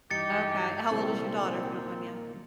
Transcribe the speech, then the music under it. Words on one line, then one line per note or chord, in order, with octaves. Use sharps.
Okay how old is your daughter, if you don't mind me asking?
G2 E3 D#4 G4 A6 C#7
C2 A#2 D#3 A#3 C4